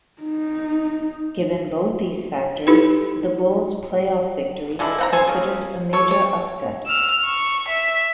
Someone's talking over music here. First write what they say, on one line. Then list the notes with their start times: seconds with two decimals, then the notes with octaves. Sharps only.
Given both these factors, the Bulls' playoff victory was considered a major upset.
0.22 D#4
2.67 D#4 E4 G4 A4 B4
4.79 D3 G#3 D4 E4
4.98 C4 F#5 A#5
5.13 A4 C5 G#5
5.28 C#3
5.93 A4 C#5
6.11 C#5
6.86 E6 F6
7.25 C#6
7.68 E5